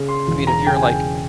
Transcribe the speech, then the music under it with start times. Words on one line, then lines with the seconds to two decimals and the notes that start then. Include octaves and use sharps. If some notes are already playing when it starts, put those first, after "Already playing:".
I mean, if you're like
Already playing: C#3
0.09 C6
0.28 E1
0.47 A#5
0.66 C#3 G5
0.75 G#5
0.83 G5